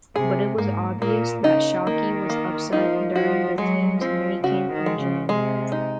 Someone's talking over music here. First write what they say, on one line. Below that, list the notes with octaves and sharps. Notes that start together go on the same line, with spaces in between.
But it was obvious that Shockey was upset during the team's minicamp in June.
C3 G#4
G#2 A#3
A#2 A#3
C#3 D#4
D#3 A#3
A#3
F3 D#4
F3 F#4
F#3 G#3
F3 C4
C#3 F#4
D#3
G#3
C#3
C3 G#3
D#4